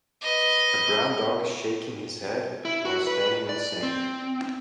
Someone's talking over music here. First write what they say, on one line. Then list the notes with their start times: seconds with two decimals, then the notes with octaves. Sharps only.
A brown dog is shaking his head while standing on sand.
0.22 B4 D#5
2.65 E4
2.85 F#4
3.07 B4
3.49 D5
3.83 C4